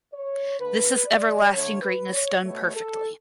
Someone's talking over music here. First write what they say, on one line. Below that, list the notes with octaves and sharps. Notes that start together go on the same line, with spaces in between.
This is everlasting greatness done perfectly.
C#5
D3 A3 B4
D5
D3 A3 C#5
B4
C#5
B2 A3 C#5
A4